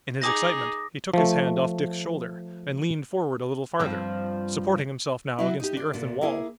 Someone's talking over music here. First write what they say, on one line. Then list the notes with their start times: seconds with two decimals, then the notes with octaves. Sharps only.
In his excitement he took his hand off Dick's shoulder and leaned forward a little farther, supporting himself now against the earthen wall.
0.22 D#4 G#4 D6 D#6 A#6
1.14 F3 A3
3.80 G2 F3 C4
5.39 F#3 E4
5.60 D#4 G4
5.77 D4
5.93 D2 A#2
6.21 A#3 E4 G#4